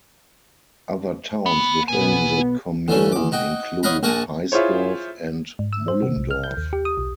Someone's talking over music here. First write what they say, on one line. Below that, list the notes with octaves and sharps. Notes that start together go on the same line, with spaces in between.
Other towns within the commune include Heisdorf and Mullendorf.
B3
B1 B3 E4 G#5
D3 E3 A3 C#4
E2 D6
D#4 F#4 G5
C#5 D#5 F5 F#5 A#5 B5
A#1 F#4 A#4 F#5 G#5 A5
E4 F4 G#4 C5 C#5
G#2
E6
C5
C3
B1
F6
G6
D#2
G4
D#6
B1